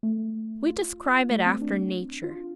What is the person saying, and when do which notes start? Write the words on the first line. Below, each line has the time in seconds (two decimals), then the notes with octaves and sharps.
We describe it after nature.
0.03 A3
0.66 F4
1.30 A3
1.46 C4
1.62 D4
2.24 F4